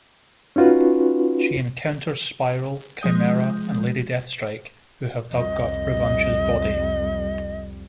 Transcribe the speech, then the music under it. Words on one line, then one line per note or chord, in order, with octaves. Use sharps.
She encounters Spiral, Chimera and Lady Deathstrike who have dug up Revanche's body.
C#4 D#4 F4 F#4 B4
F3 G#3 D#6 G6
C2 F2 G3 D#5